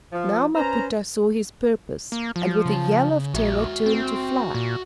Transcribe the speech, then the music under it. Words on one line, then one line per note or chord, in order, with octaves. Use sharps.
Now Maputa saw his purpose and with a yell of terror turned to fly.
F3
C#4 B4 C5 A#5
A#3
F3
C#3
A#1 F#4 E5
C4
A#2